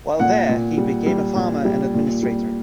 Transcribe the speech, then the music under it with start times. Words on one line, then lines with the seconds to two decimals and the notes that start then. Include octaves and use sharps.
While there he became a farmer and administrator.
0.20 A#2 F#5
0.49 A#2
0.78 G3
1.06 G3
1.36 A#2
1.65 G3
1.94 A#2
2.23 G3